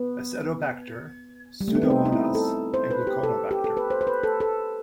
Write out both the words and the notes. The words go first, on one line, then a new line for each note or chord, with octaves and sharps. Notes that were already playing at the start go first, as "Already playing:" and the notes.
"Acetobacter", "Pseudomonas" and "Gluconobacter".
Already playing: B3
G3
A3
B3
C4
D#4
D#4
E4
A4
C5
B4
G4
A4
G4
A4
B4
C5
C5
B4
A4
A4